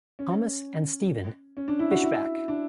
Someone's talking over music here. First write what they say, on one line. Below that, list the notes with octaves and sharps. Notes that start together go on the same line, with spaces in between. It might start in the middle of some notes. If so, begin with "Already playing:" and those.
Thomas and Stephen Fishbach.
C#4
C#4
D4
E4
F#4
E4
D4